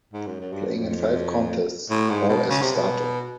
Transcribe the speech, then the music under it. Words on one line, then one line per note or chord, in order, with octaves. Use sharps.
Playing in five contests, all as a starter.
G#2
F#2
F#2
G2
F#2
F2
A2
G#2
B2
C#3
C3
B2